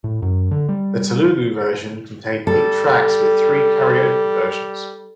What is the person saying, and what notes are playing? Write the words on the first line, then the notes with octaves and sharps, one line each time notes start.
The Telugu version contained eight tracks with three karaoke versions.
A2
F#2
D3
G3
G3 A4